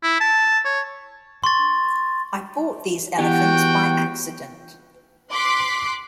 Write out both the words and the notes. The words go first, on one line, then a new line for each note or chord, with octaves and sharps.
I bought these elephants by accident.
E4
A5
C#5
C6 C#6 A6
E3 B3 F#4 G4 G5
C6 D6 F#6 B6 C7